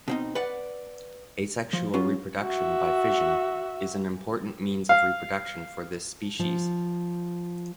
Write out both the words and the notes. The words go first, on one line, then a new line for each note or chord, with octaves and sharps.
Asexual reproduction by fission is an important means of reproduction for this species.
B2 C4 D#4
B4 D5 F#5
F3
F#3 C#4 F4
F#4 E5
F5
F3